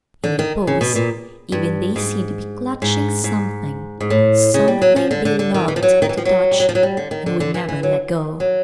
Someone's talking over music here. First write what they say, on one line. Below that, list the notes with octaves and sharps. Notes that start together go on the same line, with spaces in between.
In repose, even, they seemed to be clutching something, something they loved to touch, and would never let go.
D3
D#3
C#3
B2
A#2
G2
G#2
G#2
G#2
G#2
A2
C#3
G3
F#3
F3
D3
D3
D3
D#3
E3
F3
F#3
D#3
E3
F3
F#3
G3
F#3
F3
F#3
G3
D3
D#3
D3
D3
E3
E3
F#3
F#3